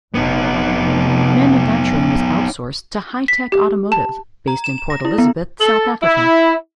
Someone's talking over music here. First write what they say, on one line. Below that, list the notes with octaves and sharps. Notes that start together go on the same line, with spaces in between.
Manufacturing was outsourced to Hi-Tech Automotive, based in Port Elizabeth, South Africa.
F1 B3 D#4
B6
G4
A5
A#5
E7
E7
A#6
E4
B3
A4
E4